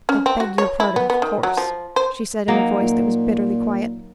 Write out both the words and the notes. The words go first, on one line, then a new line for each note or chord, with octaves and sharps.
"I beg your pardon, of course," she said in a voice that was bitterly quiet.
C#4
C4
F#4
C#5
E4
B3
B3
D#3
F#3
F3
C5
F#3 A#3 D#4
A#2